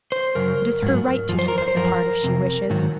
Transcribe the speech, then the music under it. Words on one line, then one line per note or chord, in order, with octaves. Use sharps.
It is her right to keep us apart, if she wishes.
C5
F#2 C#3 F#3 A#4
G#2 F#3
F#2 F3
C5
A#4
C5
C5
F#2 F3 A#4
F2 C3
G#2 D#3 F#3